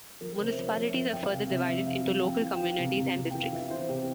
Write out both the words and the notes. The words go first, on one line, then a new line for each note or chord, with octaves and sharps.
Municipalities are further divided into local communities and districts.
F3 A#4
A#4
C3 C5
E5
F3 C#5
F3 E5
F3 E5
F3 G5
C3 F5
F5
C3 E5
F3 E5
C3 F5
F3 F5
F3 G5
E3 F5
E3 G5
F5
C3
C3
C3
E3 G5
F5
E3 E5
E3 C5
C3 G4